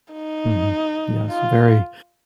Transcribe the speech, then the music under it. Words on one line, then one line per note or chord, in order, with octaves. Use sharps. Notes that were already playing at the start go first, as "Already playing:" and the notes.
Mhm, yes, very,
D#4
F4